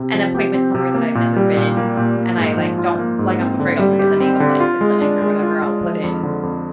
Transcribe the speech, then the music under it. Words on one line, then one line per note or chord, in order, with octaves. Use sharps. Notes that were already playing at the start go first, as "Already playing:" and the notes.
an appointment somewhere that I've never been, and I like don't like, I'm afraid I'll forget the name of like the clinic or whatever, I'll put in
Already playing: C3 C4
F3
G4
C4
C3
A#3
A#2
G3
A#2
A#3
A#2
A#3
G#2
F3
F4
A#3
G#2
C4
D3
G3
G4
C4
D3
F4
G#3
D4
G#3
F4
G#3
F3
F2
D3
F2